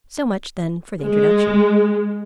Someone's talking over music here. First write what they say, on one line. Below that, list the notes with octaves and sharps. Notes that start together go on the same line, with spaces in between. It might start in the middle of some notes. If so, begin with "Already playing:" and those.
So much, then, for the introduction.
G#3